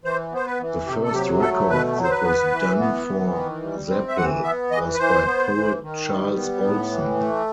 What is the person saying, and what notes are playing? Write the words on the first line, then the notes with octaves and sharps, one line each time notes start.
The first record that was done for Zapple was by poet Charles Olson.
E3 C5
B3 C5
B4
E3
C3 G4
A4
F#3 G4
A3 A4
B2 B4
F#3
C5
B4
B3
E3
B3
E3
D#3
G3
C4
E5
E3 F#5
B3 E5
E3 D#5
B4
E3 C5
B3
E3
D#3
G3
B3
A2
E3
A3